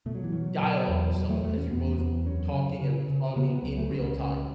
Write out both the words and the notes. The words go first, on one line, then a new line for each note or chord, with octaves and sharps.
dialogue with someone as you're both talking and responding in real time.
B2 A3
F#3
E3
B2 F#3
B2
E2
E2 F#3
A3
E2 A3
C#4
E2 B3
E2 B3
F#2 C#4
C#3
C#3
C#3
C#3 B3
B3
C#2 F#3
A3
C#2 C#4
C#3